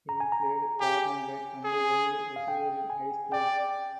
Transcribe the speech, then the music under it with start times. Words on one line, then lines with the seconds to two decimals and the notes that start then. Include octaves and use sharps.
He played cornerback and wide receiver in high school.
0.09 A#5
0.20 G#5
0.32 A#5
0.80 G4 G#5
1.64 G#4
2.36 F5
2.48 G5
2.90 G#5
3.32 D5 G5